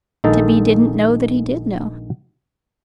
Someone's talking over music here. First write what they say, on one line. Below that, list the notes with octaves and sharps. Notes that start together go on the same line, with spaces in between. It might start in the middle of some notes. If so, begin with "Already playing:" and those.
Tibby didn't know that he did know.
A#1 D#3 G#3 D#4 A4